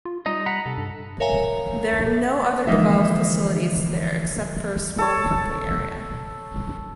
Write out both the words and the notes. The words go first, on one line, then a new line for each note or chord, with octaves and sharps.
There are no other developed facilities there except for a small parking area.
F4
G3 D#4 D#5
F#5 A#5 B5
C3 A4
G2
A#4 C#5 E5 F5 G#5 A#5
D3 E3 F3 G#3 A#3 D#4 D#5 E5
A4 C#5